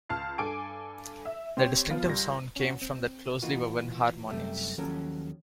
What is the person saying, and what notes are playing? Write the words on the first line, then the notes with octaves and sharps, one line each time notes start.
Their distinctive sound came from their closely woven harmonies.
C#2 A5 F6 C7
G2 A4 G#5 D6 D7
E5
C4 G4 C5 C#5
F3 B3 F4
C#2 G3 A#6
C#4 F#4
C4
E3 A#3 D#4 F4 F#4
F#2 C3 G3 A3
D#2 F3 F#3 C#4 A4 A#4